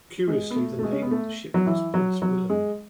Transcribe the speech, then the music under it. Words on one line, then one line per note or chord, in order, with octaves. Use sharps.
Curiously, the name on the ship was "Prins Willim".
G#3
B3
A3
A3
G#3
C#4
B3
A3
F#3
E3
F#3
F#3
G#3